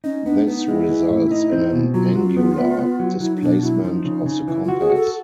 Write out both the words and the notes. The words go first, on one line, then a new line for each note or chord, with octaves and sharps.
This results in an angular displacement of the compass.
C#4 D#4
B3 D4
B3 D#4
G#3 E4
E3
A2
D#4
C4
B2
F#3 F4
F#3
B3
B3
B3
F#3
F#3 E4
D#4
B2 D4
F#3 E4
F3 D#4
C#3
C#3
E3 E4
F4 F#4
G#4
F#4
A4